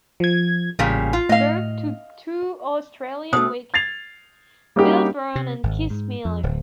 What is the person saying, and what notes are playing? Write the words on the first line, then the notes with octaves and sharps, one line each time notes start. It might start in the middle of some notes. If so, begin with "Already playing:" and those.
Burke took two Australian wickets - Bill Brown and Keith Miller.
F3 G#6
A1 A#2 C#3 G3
F4
A2 D#5 F5
B2 A3 C5 D#6
G#6 A6 C7 F7
G3 A#3 C#4 D#4 F#4 G4
C3
G#1
G#2
F2
D1